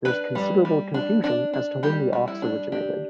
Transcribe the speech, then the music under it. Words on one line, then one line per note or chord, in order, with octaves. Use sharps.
There is considerable confusion as to when the office originated.
D4 B4
G3
G3
D4
D4
D4
G3 G4
G3
E4
D4
D4 G4